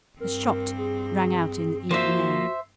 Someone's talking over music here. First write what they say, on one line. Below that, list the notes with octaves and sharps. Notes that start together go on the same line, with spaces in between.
A shot rang out in the evening air.
G2 C4 A#4
G#4
F3 A#3 F#4 C5 E5